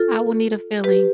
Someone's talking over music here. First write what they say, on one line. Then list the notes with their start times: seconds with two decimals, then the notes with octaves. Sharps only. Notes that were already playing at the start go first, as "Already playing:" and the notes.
I will need a filling.
Already playing: F4 A4
0.84 G4 B4